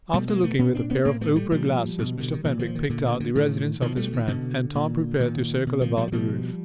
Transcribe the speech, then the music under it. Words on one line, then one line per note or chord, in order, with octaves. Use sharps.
After looking with a pair of opera glasses, Mr. Fenwick picked out the residence of his friend, and Tom prepared to circle about the roof.
B2 G3 A3
G#3 A#3
A3 B3
A#2 B3 C#4
C4 D4
B3 C#4
A2 A#3 C4
A3 B3
G3 A3
A#2 F3 G3
B2
D3
D#3
A#2 E3
D#3 F3
D#3
A#2 D3
D3
D3
A2 D#3
B2 D#3 F3
G3 A3
D#3
B2 D3
A#2
A#2 D#3
B2
D#3 F3
F3 G3
F#3
B2 F3 G3